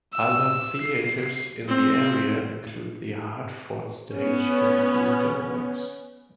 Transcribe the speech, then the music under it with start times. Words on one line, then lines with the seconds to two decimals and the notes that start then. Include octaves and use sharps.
Other theaters in the area include the Hartford Stage and TheatreWorks.
0.13 E6
0.81 C7
1.68 C4
4.13 B3 C#4